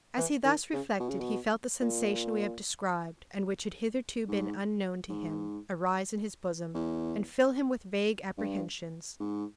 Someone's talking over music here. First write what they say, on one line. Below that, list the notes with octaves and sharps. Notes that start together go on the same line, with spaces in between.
As he thus reflected, he felt the sensation we have described, and which had hitherto been unknown to him, arise in his bosom, and fill him with vague apprehensions.
E3
D#3
C#3
B2
C#3
B2
A#2
G#2
G#2
E2
G2
G#2